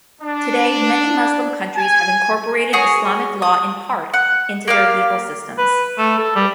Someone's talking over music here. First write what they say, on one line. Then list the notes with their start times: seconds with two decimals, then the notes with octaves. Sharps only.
Today, many Muslim countries have incorporated Islamic law in part, into their legal systems.
0.21 D4
1.76 G#5
2.73 F#4 G#4 C#5
3.42 D#6
4.13 F#5
4.68 A#3 G4 F5
5.58 B4
5.98 A3
6.18 A4
6.35 G3